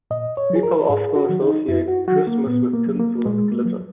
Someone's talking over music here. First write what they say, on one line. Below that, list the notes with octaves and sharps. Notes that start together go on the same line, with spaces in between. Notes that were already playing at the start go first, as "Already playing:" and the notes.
People often associate Christmas with tinsel and glitter.
A#2 D#5
C#5
F#3
G#4
A#4
G#2 G#4
F#4
D#3 F#3
D#4
F#2 E4
F#4
D#3 F#3 F#4
A#3
A#2 B3
A#3
F#3
A#3
A#2 G#3
A#3
F#3